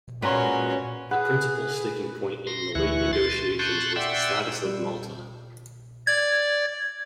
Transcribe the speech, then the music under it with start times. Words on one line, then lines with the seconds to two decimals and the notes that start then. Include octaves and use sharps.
The principal sticking point in the late negotiations was the status of Malta.
0.22 A#2 G#3 A#3 C#4 F#4 B4 A#5 C6
1.11 G#4 B4 F#5
2.47 C6 A#6
2.75 D2 E3 E4 C#6 F#6
3.13 C6 A6
3.59 A5 C6 C#6 F#6 G6
3.96 D5 E5 F#5 G5 C6 E6
4.65 G3
6.07 D5 G#6